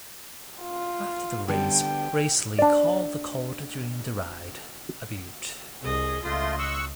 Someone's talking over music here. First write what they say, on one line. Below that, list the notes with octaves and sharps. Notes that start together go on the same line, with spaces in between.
After the race Breasley called the colt a dream to ride, a beaut.
F4
D3 G3 B3 G5
D4 D5
C2 G#4 D#5
C#2 A3 F4 D#5 C6
C#6 E6 F#6